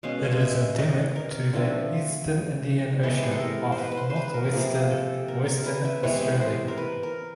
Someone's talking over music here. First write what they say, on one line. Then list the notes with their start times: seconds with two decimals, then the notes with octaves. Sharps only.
It is endemic to the eastern Indian Ocean off northwestern Western Australia.
0.03 B2 G#3 C#4 F5
0.40 E5
0.78 D#5
1.16 A#4
1.53 D3 F3 A3 C4
3.03 C3 E3 G#3 B3 A4
3.14 G4
3.23 G#4
3.31 A4
3.41 A#4
3.72 C5
3.78 B4
3.92 B4
3.97 C5
4.10 C5
4.16 B4
4.34 A#4
4.53 C3 F3 A#3 G#4
4.91 A4
5.28 A#4
5.47 A#4
5.66 B4
5.85 E5
6.03 C3 E3 G#3 B3 C#5
6.41 C5
6.68 A#4
6.78 B4
7.03 A#4